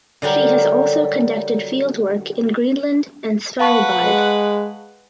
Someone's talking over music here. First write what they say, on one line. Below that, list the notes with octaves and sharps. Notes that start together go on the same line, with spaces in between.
She has also conducted fieldwork in Greenland and Svalbard.
D3 F#3 G3 A#4
B4 F5 F#5 A5 C#6
G#3